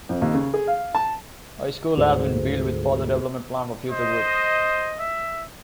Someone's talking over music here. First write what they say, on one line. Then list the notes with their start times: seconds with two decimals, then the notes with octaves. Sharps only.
A school has been built with further development planned for future groups.
0.09 F2
0.22 D#2
0.34 C#3
0.54 G#4
0.67 F5
0.95 A5
1.97 D2 G#2
3.90 C5 D#5
5.00 E5